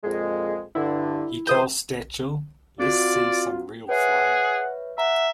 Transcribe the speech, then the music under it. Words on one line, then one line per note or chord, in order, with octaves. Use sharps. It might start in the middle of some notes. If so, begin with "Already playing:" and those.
He tells Stachel, Let's see some real flying.
F2 A#2 G#3
G2 D3 E4
C#2 E3 C5 D#6 G6
C4 F4 F#4 D5
G#4 B4 C#5 E5 F#5
E5 F#5 A#5